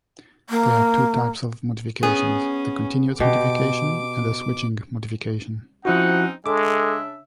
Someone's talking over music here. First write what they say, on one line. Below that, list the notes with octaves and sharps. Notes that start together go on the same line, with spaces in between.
There are two types of modifications: the continuous modification and the switching modification.
A#3
B3 C#4 G#4
B2 G4 D6
F3 C4 C#4 D#4 E4 F#4 F#5
C#3 G#3 D4 A4 E5 D6